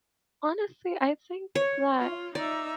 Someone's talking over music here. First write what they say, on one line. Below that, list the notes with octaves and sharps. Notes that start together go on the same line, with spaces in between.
Honestly, I think that,
C#5
F4
D#4 D5 E5